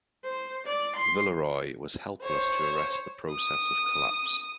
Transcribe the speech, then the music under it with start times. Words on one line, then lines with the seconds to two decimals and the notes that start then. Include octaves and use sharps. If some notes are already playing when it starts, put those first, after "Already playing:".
Villeroi was helpless to arrest the process of collapse.
0.24 C5
0.66 D5
0.95 C6
2.23 C5 C#5
3.32 D#6